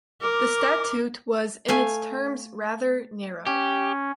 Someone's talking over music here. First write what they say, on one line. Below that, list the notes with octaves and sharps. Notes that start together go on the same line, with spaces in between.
The statute was in its terms rather narrow.
A#4 D6
A3 F5 G#5
C#4 G4